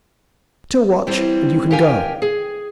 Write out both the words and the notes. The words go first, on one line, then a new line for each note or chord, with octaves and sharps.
Til watch, and you can go.'
E3 G3 C4
G4 A#4 F5 G5 G#5
G#4